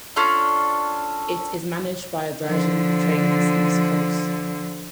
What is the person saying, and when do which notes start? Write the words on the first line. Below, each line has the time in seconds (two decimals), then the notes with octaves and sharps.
It is managed by Virgin Trains East Coast.
0.16 C#4 D4 F4 A4
2.43 D3 F3